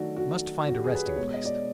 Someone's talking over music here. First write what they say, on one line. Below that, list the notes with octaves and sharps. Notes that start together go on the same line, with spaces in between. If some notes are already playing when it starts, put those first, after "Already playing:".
I must find a resting place.
Already playing: D#3 F#3 A3 F#4 D5
F#4
F#4
G4
G#4
B4
C#5
B2 G#3 C#5
D#5
D5